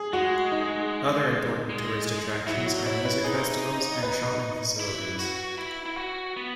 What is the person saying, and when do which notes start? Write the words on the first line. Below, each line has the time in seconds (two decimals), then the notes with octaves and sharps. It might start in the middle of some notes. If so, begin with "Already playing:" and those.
Other important tourist attractions are music festivals and shopping facilities.
Already playing: G#4
0.13 G#3 F#4
0.52 D#4
1.69 G#3
2.47 F#3 E4
2.66 F#4
2.86 E4 C#5
3.05 B4
3.24 D#4 G#4
4.03 B4
4.80 E4
5.19 F#4
5.58 E4
5.86 E4
5.97 F#4
6.37 B3